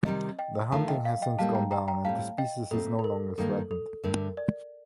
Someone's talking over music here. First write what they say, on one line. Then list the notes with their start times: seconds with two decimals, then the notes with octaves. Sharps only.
The hunting has since gone down and the species is no longer threatened.
0.05 C3 D#3 G3 C4 D#4 D#5
0.39 D#5 G5
0.72 D#3 A3 D4 F4 F5 A5
0.88 D#5 G5
1.05 F5
1.22 D#5 G5
1.39 A2 G3 A#3 F5 A5
1.55 G5 A#5
1.71 G5 A#5
1.88 G5 A#5
2.04 A2 G3 C4 F5 A5
2.38 D#5 G5
2.71 A#2 A3 C4 A4
2.99 A4
3.04 A#4
3.38 G2 D#3 A#3 D#4 A4
3.71 A4
4.04 G2 D3 A3 A#4
4.37 D5